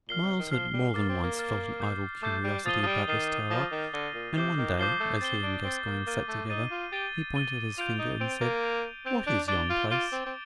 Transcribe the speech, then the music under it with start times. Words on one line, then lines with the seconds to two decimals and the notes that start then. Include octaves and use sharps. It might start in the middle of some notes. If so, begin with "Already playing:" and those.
Myles had more than once felt an idle curiosity about this tower, and one day, as he and Gascoyne sat together, he pointed his finger and said, "What is yon place?"
0.09 A#2 F6 C7 G7
0.23 C3
0.38 D#3
0.51 F3 F6 C7 G7
0.73 G3
0.94 A#3 D6 F6 A6
1.09 C4
1.23 A#3
1.37 D6 F6 A6
1.80 D6 G6 C7
2.23 A3 D6 G6 C7
2.44 G3
2.65 F3 D#6 A6 C7 D#7 G7
2.83 F3
2.87 G3
3.07 D#3 D#6 A6 C7 D#7 G7
3.50 F3 F6 A#6 D#7 G7
3.72 D#3
3.93 D3 F6 A#6 D#7 G7
4.15 A#2
4.36 C3 D6 G6 C7 G7
4.58 D#3
4.79 F3 D6 G6 C7 G7
5.00 A3
5.21 C4 A6 C7 G7
5.43 D4
5.64 C4 A6 C7 G7
5.86 A#3
6.07 A#3 A6 D#7 G7
6.28 A3
6.50 D#4 A6 D#7 G7
6.71 F4
6.92 G4 A6 D#7 G7
7.36 A6 D#7 G7
7.78 F4 G6 D7 F7
7.99 D#4
8.20 C4 G6 D7 F7
8.41 A#3
8.64 G6 D7 F7
9.06 C4 G6 D7 F7
9.27 D4
9.48 D4 D6 A6 D7 G7
9.70 F4
9.91 F4 D6 A6 D7 G7
10.12 C4
10.26 C4